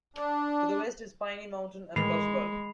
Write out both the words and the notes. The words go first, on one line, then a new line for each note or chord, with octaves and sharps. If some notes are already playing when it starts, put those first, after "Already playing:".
To the west is Piney Mountain and Frostburg.
D4
A2 D#3 E3 G#3 B5 C7 F7